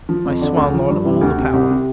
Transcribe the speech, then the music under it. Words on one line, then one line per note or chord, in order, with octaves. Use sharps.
I swung on all the power.
F3
F2
D3
D2
F3
G2
C3
D2
C3
C2
C3